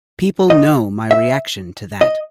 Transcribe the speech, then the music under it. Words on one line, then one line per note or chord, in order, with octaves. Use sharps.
People know my reaction to that.
D#5
E5
D#5